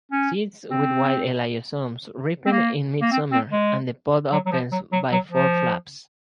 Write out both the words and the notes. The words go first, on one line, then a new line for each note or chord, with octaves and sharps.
Seeds with white elaiosomes ripen in midsummer and the pod opens by four flaps.
C#4
C4
C4
A#3
A#3
C4
C4
G#3
F#3
F#3
F3
F#3
F#3
F#3
F3